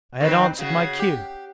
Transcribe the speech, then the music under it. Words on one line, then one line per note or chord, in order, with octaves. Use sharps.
I had answered my cue.
D#3 C4 B4
C#3 F#4
G4